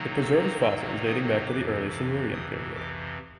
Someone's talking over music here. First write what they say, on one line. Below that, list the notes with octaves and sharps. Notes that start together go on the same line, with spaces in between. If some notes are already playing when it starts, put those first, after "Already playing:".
It preserves fossils dating back to the early Silurian period.
Already playing: C3 D#3 F#3 A#3 D#4
E6
E6
D#6
F2 C3 E3 D6
D6
D#6
D6